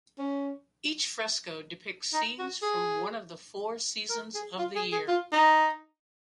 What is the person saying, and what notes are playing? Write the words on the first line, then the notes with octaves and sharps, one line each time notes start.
Each fresco depicts scenes from one of the four seasons of the year.
C#4
D#4
F#4
G#4
A#4
G#4
F4
G#4
G#4
F4
D#4